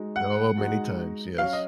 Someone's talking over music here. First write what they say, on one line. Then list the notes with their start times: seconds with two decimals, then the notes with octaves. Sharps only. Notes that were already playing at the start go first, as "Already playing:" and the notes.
Oh, many times, yes.
Already playing: G#3 D#4 F#4
0.16 F#5
0.57 G#3 D#4 F#4
1.38 F#3 C#4 F#4 F5
1.53 D#5